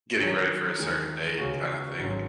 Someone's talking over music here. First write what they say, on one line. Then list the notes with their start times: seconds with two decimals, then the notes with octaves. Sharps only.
getting ready for a certain date kinda thing.
0.19 D#3 F#3 C#4
0.79 D#2 D#3 G#3 D#4
1.38 C#2 C#3 G#3 C#4 F#4
1.99 G#1 G#2 D#3 F#3 C#4